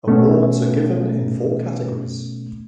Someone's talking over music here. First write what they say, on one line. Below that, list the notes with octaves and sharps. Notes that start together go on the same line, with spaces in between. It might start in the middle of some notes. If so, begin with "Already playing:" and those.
Awards are given in four categories.
B2 A3 B3 C#4